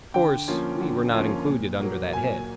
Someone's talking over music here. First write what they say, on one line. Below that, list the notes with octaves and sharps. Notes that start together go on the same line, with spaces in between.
Of course, we were not included under that head.
D3 G5
F3 A#3 C#4 F4
D3
F3 A#3 C#4 F4
A#2
F#3 A#3
A#2 G#5